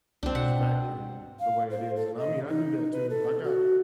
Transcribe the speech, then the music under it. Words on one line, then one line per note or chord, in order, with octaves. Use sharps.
just vacuum the way it is, and I mean, I do that too, I got
C#2 C4 D4
B2 F#5
F5
C5
A4
D#5
D#4
B4
A4
F#4